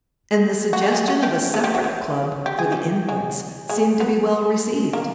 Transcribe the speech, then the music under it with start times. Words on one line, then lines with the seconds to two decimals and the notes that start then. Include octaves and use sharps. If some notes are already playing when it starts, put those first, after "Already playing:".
And the suggestion of a separate club for the Infants seemed to be well received.
0.73 F#4
0.83 G4
0.92 G#3 G#4
1.08 F#3 F#4
1.23 G3 G4
1.54 A3 A4
1.64 G3 G4
1.74 F#3 F#4
1.84 E3 E4
2.46 G4
2.59 G#4
2.72 G3 G4
3.09 G#3 G#4
3.69 G#3 G#4
4.00 B3 B4
4.93 A#3 A#4